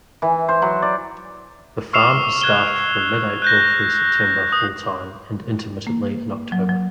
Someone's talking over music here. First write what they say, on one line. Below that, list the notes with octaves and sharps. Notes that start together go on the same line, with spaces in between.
The farm is staffed from mid-April through September full-time, and intermittently in October.
E3
C5
F#3
D5
C#6 E6 F6 C7 E7 F7
F#6 G#6 E7 G7
F#6 G6 A#6
D#6
A#3
F#3
F#3